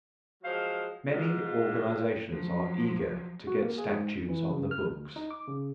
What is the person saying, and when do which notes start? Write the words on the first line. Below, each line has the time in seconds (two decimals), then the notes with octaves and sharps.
Many organizations are eager to get statutes on the books.
0.43 F3 F#3 G#3 C5 F5
1.08 G#2 F4
2.30 F3 F#3
3.47 F#4
3.62 A#3
3.78 G#4
3.92 G#2
4.16 F2
4.28 E3
4.49 C#3
4.71 F6
4.86 D2
5.16 D#4
5.31 D6
5.48 C#3